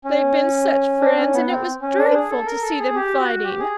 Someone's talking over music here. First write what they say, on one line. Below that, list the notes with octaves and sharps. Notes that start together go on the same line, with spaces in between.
"They've been such friends, and it was dreadful to see them fighting."
C#4
D4
C#4
B3
C4
C#4
D4
G#4
A4
A#4
A4
G#4
G4
F#4
G4
G#4